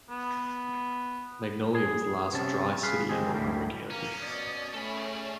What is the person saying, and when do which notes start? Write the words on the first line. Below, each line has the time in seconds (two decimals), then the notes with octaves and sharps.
Magnolia was the last "dry" city in Montgomery County.
0.10 B3
1.75 G#4
2.33 C3 C#4 A5
2.83 G#4 B4 F5
3.09 G#3 C4 G4 G#4
3.33 D2 A2 G3
3.90 A#3 C#4 A#4
4.22 B2 D5 D#6
4.74 A3 C#4 A4 B5
4.97 G#4 D5